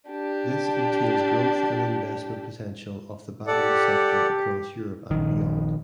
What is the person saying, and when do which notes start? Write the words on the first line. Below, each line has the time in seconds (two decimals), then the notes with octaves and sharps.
This entails growth and investment potential of the battery sector across Europe and beyond.
0.11 D4 G4
3.47 G4 A4 D5 F#5
5.11 A#1 D#3